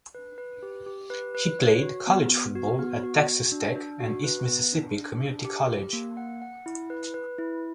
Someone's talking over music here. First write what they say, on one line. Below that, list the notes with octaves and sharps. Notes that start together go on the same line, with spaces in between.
He played college football at Texas Tech and East Mississippi Community College.
B4
B4
G4
G4
B4
B4
C#5
F#4
B3
B3
F#4
B3
F#4
F#4
D4
D4
F#4
B4
B3
D4
D4
D4
G4
G4
A#3
F#5
F#5
E4
B4
B4
E4